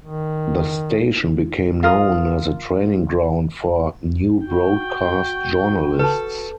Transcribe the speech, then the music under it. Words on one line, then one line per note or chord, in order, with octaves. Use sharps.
The station became known as a training ground for new broadcast journalists.
D#3
F4 A#4 D#6
F#4 G5
A4 B4 A5